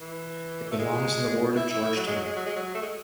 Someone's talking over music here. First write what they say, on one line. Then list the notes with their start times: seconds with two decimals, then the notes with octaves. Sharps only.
It belongs in the ward of Georgetown.
0.01 E3
0.71 A3
0.79 G#3
1.57 E4
1.70 E4
1.83 E4
1.96 F#3
2.07 G#3
2.16 F#3
2.26 G#3
2.36 F#3
2.46 G#3
2.56 F#3
2.75 A3
2.82 G#3